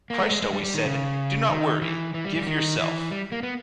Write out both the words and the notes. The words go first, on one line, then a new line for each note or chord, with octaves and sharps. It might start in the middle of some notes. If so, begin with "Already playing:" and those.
Christ always said, 'Do not worry, give yourself'.
A#3
G#3
G#3
G#3
G3
G3
D#3
C#3
D#3
E3
E3
G3
G3
E3
D#3
E3
G3
A#3
B3